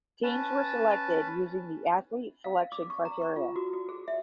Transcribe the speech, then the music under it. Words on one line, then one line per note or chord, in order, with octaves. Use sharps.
Teams were selected using the Athlete Selection criteria.
C#4 B4 A5
F5
D6
C#6
A#5
C#6
F4
F#4
F#4
G#4
E5